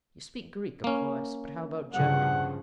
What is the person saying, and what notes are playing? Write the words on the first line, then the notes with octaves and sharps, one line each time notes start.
You speak Greek, of course; but how about German?'
A#3 C#4
G2 C#3 F3 F#5